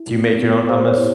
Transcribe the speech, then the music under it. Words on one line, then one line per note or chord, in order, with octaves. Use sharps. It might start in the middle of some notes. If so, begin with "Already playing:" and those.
Do you make your own hummus?
Already playing: E4
B3
B3
G4 C5
C#5
E4